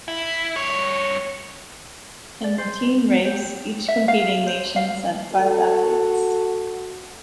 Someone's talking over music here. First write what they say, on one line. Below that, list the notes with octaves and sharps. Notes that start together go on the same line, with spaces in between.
In the team race, each competing nation sent five athletes.
E4
G2 C#5
D5
C5
G4
E5
F5
C5
F5
F#4 A4